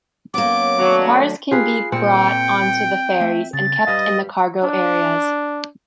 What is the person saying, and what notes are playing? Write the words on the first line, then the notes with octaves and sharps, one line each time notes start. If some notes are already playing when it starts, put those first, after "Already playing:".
Cars can be brought onto the ferries and kept in the cargo areas.
F#2 F#3 A#3 B3 D6
D#3 F#3 A3 D4
F4 G4 G#4 B4 C7
A#2 A#3 C4 G5 C#7
A3 E5
C#3 A6
G3 B4 D#5 F5
D4